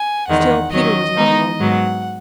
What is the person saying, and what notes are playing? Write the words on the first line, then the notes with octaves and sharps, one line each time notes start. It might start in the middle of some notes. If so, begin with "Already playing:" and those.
Still Peter was not lonely.
Already playing: G#5
E2 D#3 G#3 F#5
D#3 F#3 C#4 D#5
D#3 G#3 B3 D#4
G#2 F#3 B3 F#5